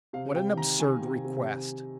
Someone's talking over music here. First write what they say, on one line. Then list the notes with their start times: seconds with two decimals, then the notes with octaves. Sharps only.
What an absurd request!
0.13 C3 F5
0.35 C3 G5
0.57 D#3 A#5
0.79 D#3 G#5
1.02 C3
1.24 C3